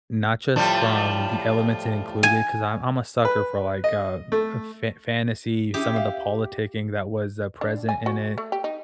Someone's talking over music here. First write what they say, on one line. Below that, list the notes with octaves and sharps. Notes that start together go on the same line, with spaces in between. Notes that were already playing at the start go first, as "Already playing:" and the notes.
not just from the elements in included, 'cause I'm I'm a sucker for, like, uh, a fa fantasy, some of the politicking that was, uh, present in it,
A2 F3 G3
G#5
B4
D#5
A3
C#4 E4 G4 G#4
E5 F5
D4
G#5
F#4
A3
G4
D#4